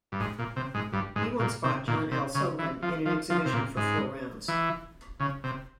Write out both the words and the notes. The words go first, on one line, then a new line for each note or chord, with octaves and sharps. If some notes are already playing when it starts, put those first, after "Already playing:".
He once fought John L. Sullivan in an exhibition for four rounds.
G2
G#2
A#2
C3
G#2
G2
G#2
A#2
C3
A#2
C3
C#3
E3
F3
F3
F3
C3
A#2
G#2
E3
C#3
C3